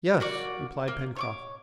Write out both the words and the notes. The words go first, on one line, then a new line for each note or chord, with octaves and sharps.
"Yes," replied Pencroft.
A#3 F#4 D5
A#3
C#5 C#6 D6